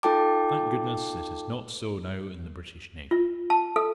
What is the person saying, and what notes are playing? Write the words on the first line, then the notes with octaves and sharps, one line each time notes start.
Thank goodness it is not so now in the British Navy.
D#4 F4 A4 G5 A5 D6
F4
A5
A4